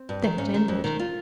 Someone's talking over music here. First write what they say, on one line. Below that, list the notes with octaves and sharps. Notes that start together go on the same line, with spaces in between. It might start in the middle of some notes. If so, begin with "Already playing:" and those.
Then it ended.
Already playing: C4
G2
D#3
G#2 C#4
D#3
F2
D#3
F4